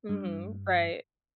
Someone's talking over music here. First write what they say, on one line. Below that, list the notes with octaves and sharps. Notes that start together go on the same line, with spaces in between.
Mhm, right.
G2